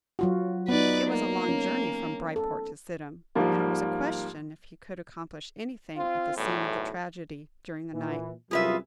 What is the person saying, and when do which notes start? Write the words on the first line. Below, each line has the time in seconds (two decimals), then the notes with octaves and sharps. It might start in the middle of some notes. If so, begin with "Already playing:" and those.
It was a long journey from Bryport to Sidham, and it was a question if he could accomplish anything at the scene of the tragedy during the night.
0.19 F#3 F4 F#4
0.69 B3 D#4 B4 D5
1.08 A#3
1.49 C#4
2.36 A4
3.35 G#2 F3 G3 A#3
5.97 C4 F4
6.36 B1 E2 A2
7.93 A#2 E3
8.51 C2 F#2 F4 G#4 B4 E5